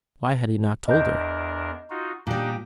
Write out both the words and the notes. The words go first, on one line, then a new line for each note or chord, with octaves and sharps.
Why had he not told her?
E2 D4 A#4 D#5 G6
D#4 F4 F#4
A#2 G3 D4 D#4 G4